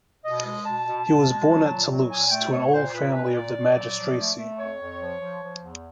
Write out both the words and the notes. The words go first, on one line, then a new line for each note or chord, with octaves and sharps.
He was born at Toulouse to an old family of the magistracy.
B2 D#5
G#3 D#5
B2 A5
B2
B2
G#3
F#3
A#2
F#3
A#2 G#5
A3 G5
A#2 C#5
A#2 C5
A#2 B4
A#2 B4
A#2 D5
A#2
F#3
F3
A3
A3
F2 C#5
F2
F3
F3
F3
E2